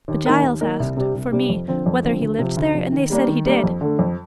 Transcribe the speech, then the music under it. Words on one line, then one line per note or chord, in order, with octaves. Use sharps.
But Giles asked, for me, whether he lived there, and they said he did.
D#2
D#3 A#3 D#4 A#4
D#2
D#3 A#3 D#4 A#4
C2
C3 G3 D4 G4
C2
C3 G3 D4 G4
F2
D3 F3 C4
F2
D3 F3 C4
D2
C3 F3
D2
C3 F3
D#3
G3 A#3 D4
D#3
G3 A#3 D4
F2
D3 A3
F2